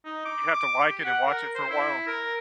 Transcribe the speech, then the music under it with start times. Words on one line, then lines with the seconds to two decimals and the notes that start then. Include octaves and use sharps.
You have to like it and watch it for a while?
0.05 D#4
0.25 D6
0.54 D6
0.88 G4
1.05 F#5
1.27 A#4
1.55 C5
1.69 E4
2.07 A#4